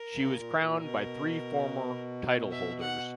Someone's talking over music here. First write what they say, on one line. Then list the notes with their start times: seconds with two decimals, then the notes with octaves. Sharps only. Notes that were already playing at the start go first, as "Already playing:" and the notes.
She was crowned by three former titleholders.
Already playing: A#4
0.14 C#3
0.36 A#2
0.58 A#2
0.79 B2 A#4
2.52 E5
2.80 F#5